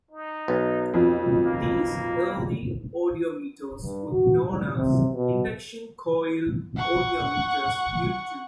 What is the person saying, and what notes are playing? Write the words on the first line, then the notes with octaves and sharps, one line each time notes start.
These early audiometers were known as induction-coil audiometers due to...
D#4
B1
F2
A#3
G2
F#4
G3
C3
B2
F#5 C#6